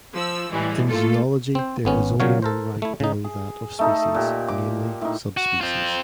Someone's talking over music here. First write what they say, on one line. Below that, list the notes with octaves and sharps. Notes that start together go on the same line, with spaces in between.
In zoology there is only one rank below that of species, namely "subspecies".
F3 E6
A2 E3 G3 G#3
A3 A#3 F4 A4
C4 C5
G#1 B3 C#4
A#2 C#3 F#3 C#5 F5
A4 A#4 C5
A3 E4
C#3 D#4
G#4
A3 D#4 A4
A#2 G4
D6
A2 D#4
F#4
C4 F4